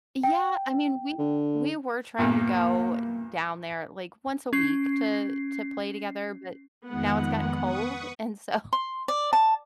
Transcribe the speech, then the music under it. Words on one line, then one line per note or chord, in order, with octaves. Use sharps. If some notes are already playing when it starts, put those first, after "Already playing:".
Yeah. I mean, we we were trying to go down there, like, once a week to to play together, but now it's gotten cold, and so
G5
D3
E2 G2 A#2 A#3
C#4 C7
F2 D#3 G#3 B3 F#5
B4 C#6 D#6
C6
D5
A5